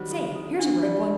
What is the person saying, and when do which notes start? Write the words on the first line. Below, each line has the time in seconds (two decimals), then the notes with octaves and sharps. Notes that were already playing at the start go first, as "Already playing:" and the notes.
Say--here's a ripe one.
Already playing: D#3 F#3 G3 C5
0.11 A4
0.35 A4
0.59 D4
0.82 G3 D5